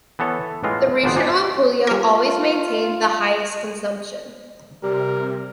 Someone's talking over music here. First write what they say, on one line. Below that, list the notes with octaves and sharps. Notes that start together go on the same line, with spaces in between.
The region of Apulia always maintained the highest consumption.
E3 B3 A4 C#5
A2 E3 G#3 F4
G#1 A#2 F3 B3 C5 D5
A2 D4 D#4 G#5
G3 F4 A#4
C3 G3 A#4